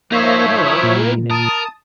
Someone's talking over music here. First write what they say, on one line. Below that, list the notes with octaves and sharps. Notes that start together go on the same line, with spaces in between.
"Carol away, now!"
F3 A#3 D#4 C5 C#5 E5 A#6
E4 A#4 D#6
A#2
A#4 A5 D#6